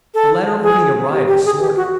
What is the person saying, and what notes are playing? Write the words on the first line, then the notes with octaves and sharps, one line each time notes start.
The letter only arrived this morning.
A4
G#4
G4
G4
G#4
G4
F#4